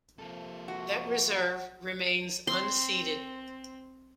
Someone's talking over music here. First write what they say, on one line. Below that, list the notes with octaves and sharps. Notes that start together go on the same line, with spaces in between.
That reserve remains unceded.
C3 F3 A#3 A4
F#4
F#5
C4 C6